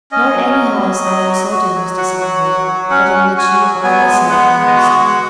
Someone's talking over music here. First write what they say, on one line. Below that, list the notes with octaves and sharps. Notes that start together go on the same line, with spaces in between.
"Nor any house, I am certain, Mr. Sandford, but in which you are yourself the master."
C#4 D#5
F#3
F#4
F#3
F#3
F#4
F#4
F#3
F#4 F#5
F#3
F#4
F#3
C#4 F#5
F#4
F#4 G#5
F#3
B3 G#5
G#3
B3 F#5
G#3
D#5
F#4 F#5
G#3